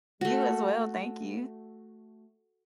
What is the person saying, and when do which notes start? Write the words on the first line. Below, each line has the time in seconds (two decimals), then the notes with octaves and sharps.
You as well, thank you.
0.21 A3 F#4